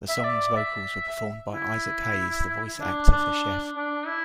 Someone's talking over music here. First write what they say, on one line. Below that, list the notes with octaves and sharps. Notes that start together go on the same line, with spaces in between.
The song's vocals were performed by Isaac Hayes, the voice actor for Chef.
E5
D5
E5
E4
D4
D4
D4
E4